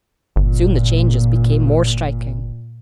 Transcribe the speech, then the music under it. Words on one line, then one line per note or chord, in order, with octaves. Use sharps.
Soon the changes became more striking.
G1 A#2